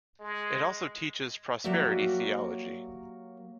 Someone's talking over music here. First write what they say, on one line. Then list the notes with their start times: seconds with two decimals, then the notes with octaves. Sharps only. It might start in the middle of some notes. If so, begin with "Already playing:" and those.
It also teaches prosperity theology.
0.20 G#3
1.64 F#3 A#3 F#4 G4 D5 E5